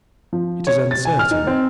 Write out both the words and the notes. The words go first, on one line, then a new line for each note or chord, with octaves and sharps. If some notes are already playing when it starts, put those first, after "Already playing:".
It is uncertain.
F3
C#5
A6
G#5
F6
D#4
C4